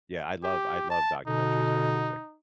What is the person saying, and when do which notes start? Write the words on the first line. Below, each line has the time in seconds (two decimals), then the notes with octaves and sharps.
Yeah, I love I love documentaries about music.
0.43 G4
0.90 A5
1.27 B2 D3 D#4